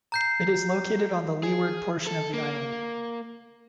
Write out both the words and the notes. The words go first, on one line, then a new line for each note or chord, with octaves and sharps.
It is located on the leeward portion of the island.
A#5 G6 C7
G#4
A4
A#3